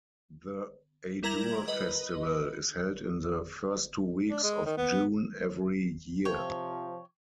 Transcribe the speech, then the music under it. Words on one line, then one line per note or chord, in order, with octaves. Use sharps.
The Adur festival is held in the first two weeks of June every year.
G3 E4 A#4 A#5 G#6 F#7
B4 D#5
D4
G#3
D#3
B3
C3 F3 C#5 G5